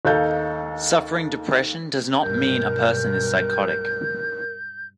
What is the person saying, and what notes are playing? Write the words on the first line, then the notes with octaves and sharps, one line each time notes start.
Suffering depression does not mean a person is psychotic.
D#2 D#4 A4 F5 G6
B1 G2 B2 A#4 G6